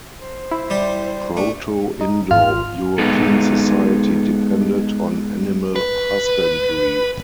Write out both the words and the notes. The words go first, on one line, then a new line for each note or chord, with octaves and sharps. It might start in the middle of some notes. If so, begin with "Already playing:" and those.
Proto-Indo-European society depended on animal husbandry.
C5
E4
G3 G4 A5
A3 D4
D#4
G#1 F4 F6
G#3 B3 D#4 A4
B4